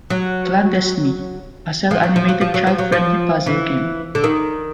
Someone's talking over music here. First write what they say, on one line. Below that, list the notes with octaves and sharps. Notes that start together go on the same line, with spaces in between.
"Clandestiny" - a cel animated child-friendly puzzle game.
F#3
F3
F#3
F3
F#3
F3
F#3
F3
F#3
F3
E3
D3
D#3